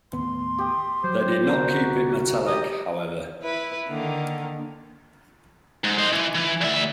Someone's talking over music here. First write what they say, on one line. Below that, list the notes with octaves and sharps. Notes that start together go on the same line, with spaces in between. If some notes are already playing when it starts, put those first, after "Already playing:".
They did not keep it metallic, however.
D#2 A2 B3 C6
G4 D#6
F#3 C5
C2 D3 B3 F#4 A#4
G4 D#5
E4 B4
D3 D#3 A#3
G#2
C5 D#5
E3
E3
D2 E5